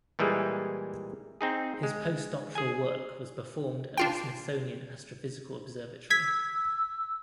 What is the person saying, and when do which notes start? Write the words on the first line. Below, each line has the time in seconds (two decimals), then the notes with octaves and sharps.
His post-doctoral work was performed at the Smithsonian Astrophysical Observatory.
0.19 A#2 E3 G3 G#3 G#4
1.41 C4 D#4 G#4
1.83 G#3
2.55 G#4 G#5
3.97 D4 F4 G5
6.10 E6 G#6 B6